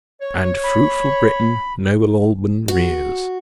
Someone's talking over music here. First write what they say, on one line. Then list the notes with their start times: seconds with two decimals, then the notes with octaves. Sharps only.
And fruitful Britain noble Alban rears.
0.21 C#5
0.63 B5
2.68 F#4